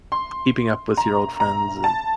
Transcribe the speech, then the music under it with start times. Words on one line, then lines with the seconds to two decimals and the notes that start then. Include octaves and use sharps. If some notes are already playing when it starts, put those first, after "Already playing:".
keeping up with your old friends and
0.12 C6
0.97 A#5
1.40 A#5
1.84 A5